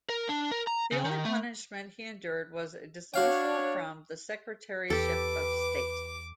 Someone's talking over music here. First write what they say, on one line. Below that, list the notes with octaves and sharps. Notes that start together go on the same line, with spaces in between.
The only punishment he endured was a dismissal from the Secretaryship of State.
A#4
D4
A#4
A#5
C#3
D#3
A3
D4 F#4 C#5 F5 G5
E2 G4 A4 B4 D6